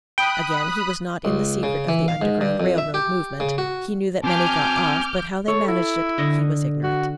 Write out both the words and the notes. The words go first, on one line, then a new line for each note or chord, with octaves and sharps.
Again, he was not in the secret of the Underground Rail Road movement; he knew that many got off, but how they managed it he was ignorant.
G5 B5 D#6 F#6
C#2
C#3
E3
F5
G#2
G2
F2
E5
G4
C#3
F#4
C4 G#5 A5 D6 F6 G6
A4 C#5
E4
D3 D#5 C#6
F#4